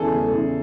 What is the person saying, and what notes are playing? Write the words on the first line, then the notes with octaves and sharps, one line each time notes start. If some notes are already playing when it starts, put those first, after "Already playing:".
we would
Already playing: E2 C#3 E3 G#4 A4
E2
C#3 E3